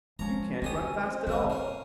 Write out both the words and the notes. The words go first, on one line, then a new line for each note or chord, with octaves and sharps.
You can't run fast at all.
F3 G#3 C#4 A#5
D2 C#4 D#4 G4 G#5 D#6
C4
B2 D3 G#3 C#4
A#3 C#4